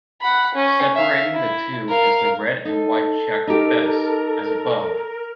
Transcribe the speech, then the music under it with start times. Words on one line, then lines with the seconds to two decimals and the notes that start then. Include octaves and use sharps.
Separating the two is the red and white checked fess, as above.
0.21 F#5 B5
0.54 C#4
0.95 E5 F5
1.34 E4
1.88 A#4 F5
2.65 D#4 A4
3.47 D#4 G4 A#4